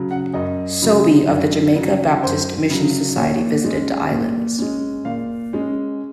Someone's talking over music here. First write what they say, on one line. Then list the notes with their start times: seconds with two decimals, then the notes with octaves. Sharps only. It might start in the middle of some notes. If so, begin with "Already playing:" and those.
Sobey of the Jamaica Baptist Mission Society visited the islands.
Already playing: C#3 F#3
0.11 F#5
0.34 F#2 D#5
0.82 C#3 F#3
1.28 F#2
1.75 C#3 F#3
2.23 F#2 C5
2.70 C#3 F#3
3.16 A#2 C#5
3.64 G#3 C#4
4.11 A#2
4.58 G#3 C#4
5.05 A#2 F5
5.53 G#3 C#4